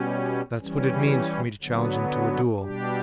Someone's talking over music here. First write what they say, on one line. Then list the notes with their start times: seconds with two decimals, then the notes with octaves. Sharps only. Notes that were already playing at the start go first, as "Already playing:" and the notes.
That's what it means for me to challenge him to a duel.
Already playing: B2 G3 C#4
0.61 E3 G3 C#4
1.61 D3 F#3 B3
2.60 B2 G3 D4 G4